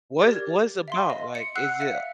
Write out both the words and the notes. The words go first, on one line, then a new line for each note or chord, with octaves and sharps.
What what it's about, like, is it
G4 A#4 D5 G#6
E5 F5 C6
D#5
C#7
F#5 E6 F#6 C7 C#7
E5 F5 C#7